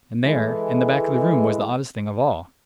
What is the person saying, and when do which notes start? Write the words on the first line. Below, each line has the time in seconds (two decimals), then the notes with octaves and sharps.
And there in the back of the room was the oddest thing of all.
0.24 E3 G#3 A4